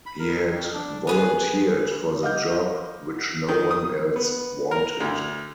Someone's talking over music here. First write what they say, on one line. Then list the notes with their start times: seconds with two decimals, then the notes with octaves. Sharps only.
He had volunteered for the job, which no one else wanted.
0.06 B5
0.20 A#4
0.51 F2
0.74 D4
1.07 B3 G#4 B4
2.23 D#5 F5 F#5 D6 F6 G6
3.49 D#3
3.71 D#6
4.16 B3
4.71 A#4
5.00 D2